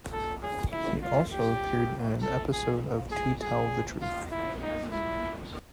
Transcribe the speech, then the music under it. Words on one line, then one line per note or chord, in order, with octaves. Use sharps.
He also appeared in an episode of "To Tell the Truth".
A4
G#4
E4
F4
G4
A4
G#4
G#4
G#4
F4
E4
D#4
E4